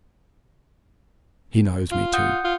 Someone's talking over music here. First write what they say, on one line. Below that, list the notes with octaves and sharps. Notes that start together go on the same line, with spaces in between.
He knows me too.'
F4
F#5 D#6 G6
F4